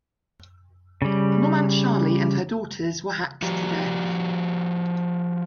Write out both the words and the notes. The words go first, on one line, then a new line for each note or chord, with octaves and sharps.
Nomantshali and her daughters were hacked to death.
C#3 G3
F3 F#4 G4